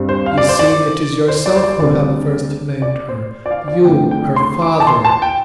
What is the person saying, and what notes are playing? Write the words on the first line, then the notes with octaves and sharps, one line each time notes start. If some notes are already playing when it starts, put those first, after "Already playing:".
"You see it is yourself who have first named her--you, her father."
Already playing: G2 G3 C4
C5
F5
D5
C5
D5
C5
D5
C5
D5
D2 D3 G3 C4 D5
D5
C5
D5
F5
D5
G2 D3 A3 C4 G5
G5
C6
D6
A5
C6
A5
G5